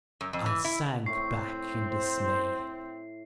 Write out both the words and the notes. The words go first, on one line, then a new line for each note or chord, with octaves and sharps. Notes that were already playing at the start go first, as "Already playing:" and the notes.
I sank back in dismay.
F#2
F2
E3
E4
A2 C4 E4 C#6 C7
C5